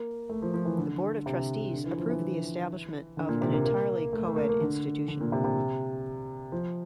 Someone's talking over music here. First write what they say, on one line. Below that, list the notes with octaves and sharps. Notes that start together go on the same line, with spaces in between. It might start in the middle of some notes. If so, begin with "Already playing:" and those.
The Board of Trustees approved the establishment of an entirely co-ed institution.
Already playing: A#3
A3
F3
F3
E3
D3
C3
D3
E3
F3
E3
D3
A#2
C3
A#3
A#3
A3
A3
A#3
A#3
D3
D3
A#2
C3
C3
F3